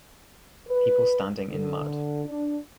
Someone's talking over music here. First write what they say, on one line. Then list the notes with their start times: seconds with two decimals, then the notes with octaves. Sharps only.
People standing in mud.
0.68 B4
1.49 D3
2.25 D4